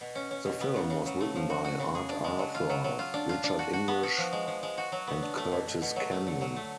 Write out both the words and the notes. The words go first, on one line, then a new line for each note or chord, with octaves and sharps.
The film was written by Art Arthur, Richard English and Curtis Kenyon.
B2
C#4
C#4
B2
B3
C#3
C#3
F#3
A3
F3
F#4
F#4
C#3
G#4
D4
G#3
F#3
F4
F#3
F#3
F4
D4
F4
D4
F#4
F#4
B3
F#4
F3
G#3
F3
G#3
F#4
F#3
B3
D4
A3
B2
B2
B2
F#3
A3
D3
F#3
A3